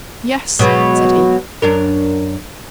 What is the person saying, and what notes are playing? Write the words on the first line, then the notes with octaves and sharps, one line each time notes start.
"Yes," said he.
B2 F#3 G#3
F#2 D4 A#4